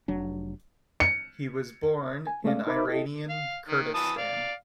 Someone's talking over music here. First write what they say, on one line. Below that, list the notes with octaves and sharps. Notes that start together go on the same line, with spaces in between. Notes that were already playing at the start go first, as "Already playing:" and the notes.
He was born in Iranian Kurdistan.
F1 F#3 D4
C#7
G#5
G#3 A3 C#4 D5 F5
D#4 A#4 C5 E5 B5 D6
E4 G4 A4 D#5
F5
D#3
E3 A5 D#6
D5 F5